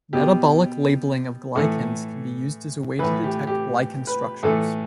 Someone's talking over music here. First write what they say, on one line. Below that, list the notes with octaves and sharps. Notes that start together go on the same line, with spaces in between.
Metabolic labeling of glycans can be used as a way to detect glycan structures.
B2 G4
A2 E3 A4
A2 E3 B4
G4
G4
B4
A2 E3 A4